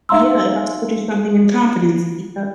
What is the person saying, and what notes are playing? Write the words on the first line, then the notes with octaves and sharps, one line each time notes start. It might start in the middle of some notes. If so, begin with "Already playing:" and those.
Yeah, if I told you something in confidence, yep.
D#4 E5 F5 A#5 C6 E6